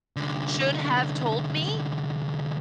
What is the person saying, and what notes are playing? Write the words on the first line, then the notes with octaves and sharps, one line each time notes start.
should have told me?"
C2 D3